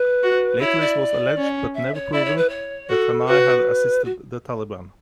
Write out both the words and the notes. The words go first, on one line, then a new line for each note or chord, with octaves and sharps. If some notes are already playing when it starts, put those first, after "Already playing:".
Later it was alleged, but never proven, that Tanai had assisted the Taliban.
Already playing: B4
F#4
E4 C#5
D5
C#4
E5
C#5
E4 D5
C#5
B4
C#5
F#4 A4
F#4 B4
F#4